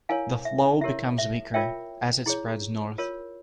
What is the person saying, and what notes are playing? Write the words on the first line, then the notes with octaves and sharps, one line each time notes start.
The flow becomes weaker as it spreads north.
E4 A#4 C#5 F5 G#5
E5
E4 G4 A#4 C#5 E5
E5
F4 A#4 C#5 E5 G5
E4 G#4 C#5
F4 A#4 C#5